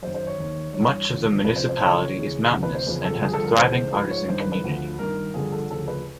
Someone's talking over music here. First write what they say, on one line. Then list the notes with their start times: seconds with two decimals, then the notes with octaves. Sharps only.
Much of the municipality is mountainous and has a thriving artisan community.
0.03 F#2 D#3 C5
0.15 C5
0.27 C#5
0.38 D#2 D#3
0.73 G2 E3 C#5
1.10 D#2 D3 F3
1.44 C#2 C3 F3 B4
1.56 C5
1.69 C5
1.80 C#2 C#3 E3 C#5
2.15 D#2 C#3 E3
2.50 D2 C3 E3
2.63 B4
2.75 C5
2.87 E2 C#3 F3 B4
3.04 A4
3.22 G2 D3 F3 G#4
3.33 A4
3.45 A#4
3.57 C#2 C#3 E3 C5
3.93 G#2 F3 B4
4.10 C#5
4.28 G2 D#3 C5
4.40 B4
4.52 B4
4.64 D2 D3 F3
4.98 G2 D#3 A#4
5.34 G2 D3 F3 G#4
5.52 A4
5.70 D2 C#3 F3 A4
5.88 B4